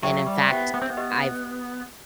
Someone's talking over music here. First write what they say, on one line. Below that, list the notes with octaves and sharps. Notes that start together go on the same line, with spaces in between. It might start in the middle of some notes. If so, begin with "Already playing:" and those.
and in fact, I've
F#3 E4 G4 C5 E5 G5
G3
B3 E4 G4 C5 E5 G5
B3
C4
B3
G4 B4 D#5